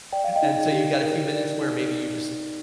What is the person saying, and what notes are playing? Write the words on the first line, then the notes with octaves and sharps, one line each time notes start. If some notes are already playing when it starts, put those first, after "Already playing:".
And so, you got a few minutes where maybe you just
D5 G5
F5
D#5 G5
D#4
G4
A#4
D5
D#4